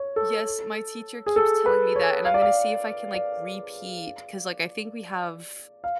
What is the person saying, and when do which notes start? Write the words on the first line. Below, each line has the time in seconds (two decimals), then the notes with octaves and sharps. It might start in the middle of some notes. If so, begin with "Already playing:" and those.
Yes, my teacher keeps telling me that, and I'm gonna see if I can, like, repeat 'cause, like, I think we have
Already playing: C#5
0.16 A4
1.26 G#4
1.36 A4
1.66 B4
1.96 C#5
2.25 F5
2.34 D5
2.42 F5
3.14 D5
5.84 F5